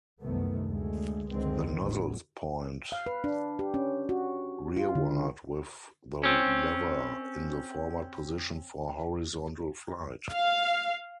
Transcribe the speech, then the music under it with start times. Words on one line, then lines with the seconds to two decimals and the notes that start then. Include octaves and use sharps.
The nozzles point rearward with the lever in the forward position for horizontal flight.
0.20 C2 F#2 C3 D#3 A3 B3
0.66 D2 G#3 A3
1.30 C#2 F#2 D3 D#3 G#3 C4
1.74 A1 E2 F#3
2.92 F5
3.06 B4
3.24 D4
3.59 G4
3.74 C#4
4.09 F#4
4.77 F4
4.95 D3
6.23 C4 C#4
10.31 F5